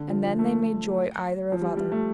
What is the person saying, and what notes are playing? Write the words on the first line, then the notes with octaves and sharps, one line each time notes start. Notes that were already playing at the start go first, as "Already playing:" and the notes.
And then they made joy either of other.
Already playing: D3
F3
F3
A3
F3
G3
G3
A3